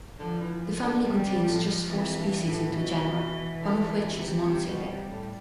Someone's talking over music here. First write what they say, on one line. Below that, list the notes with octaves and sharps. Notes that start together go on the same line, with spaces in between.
The family contains just four species in two genera, one of which is monotypic.
D3 F3
E3
D3
C3 G3
C3
A2 F3
F2 E3
G2
A2
B2
D3
D3
B2
C3
C3 G3
B2
C3
A2